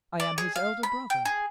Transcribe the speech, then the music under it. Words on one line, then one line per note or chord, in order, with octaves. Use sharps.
"I am his elder brother."
D5
G#4
F5
B5
G5
G#4